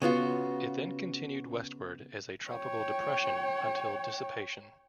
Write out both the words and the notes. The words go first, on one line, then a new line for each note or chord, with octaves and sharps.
It then continued westward as a tropical depression until dissipation.
C#3 B3 F4 F#4
C#5 G5